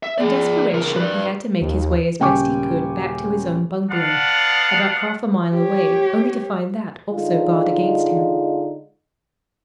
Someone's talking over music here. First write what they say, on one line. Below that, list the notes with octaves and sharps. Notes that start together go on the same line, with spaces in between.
In desperation he had to make his way as best he could back to his own bungalow, about half a mile away, only to find that also barred against him.
E5
G#4 D5
C#2 A#4
B4 D5
D#2
D#1 C#3 G5 G#5 C#6 D6
B3 D4 F5 F#5
G4 C#5
D3 G#3 D#4 F4